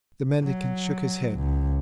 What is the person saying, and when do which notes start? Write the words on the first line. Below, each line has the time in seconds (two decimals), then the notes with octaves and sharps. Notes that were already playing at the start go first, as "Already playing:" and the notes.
The mendicant shook his head.
0.43 F#3
1.36 C#2